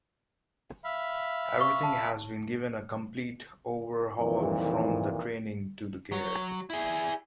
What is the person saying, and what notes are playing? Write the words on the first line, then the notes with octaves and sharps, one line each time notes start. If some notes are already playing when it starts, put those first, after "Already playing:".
Everything has been given a complete overhaul from the training to the gear.
E5 F5 B5
C#6
A5
C2 F2 A#2 D#3 E3
F#3 C#5
E4 G#4